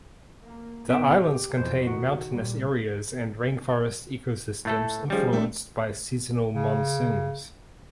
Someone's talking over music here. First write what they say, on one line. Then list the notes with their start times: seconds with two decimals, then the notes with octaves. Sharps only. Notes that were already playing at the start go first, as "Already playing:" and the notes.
The islands contain mountainous areas and rainforest ecosystems influenced by seasonal monsoons.
0.45 A#3
0.90 A#2 B3 E5 G5
1.24 G4
1.57 F2 B2 E3 C5
1.87 D#3 F#4
2.28 A#2 G3
4.65 A2 A3 A4
5.10 D#3 F3 G3 C#4 G#4
5.32 A3 C4 D4
6.53 C#3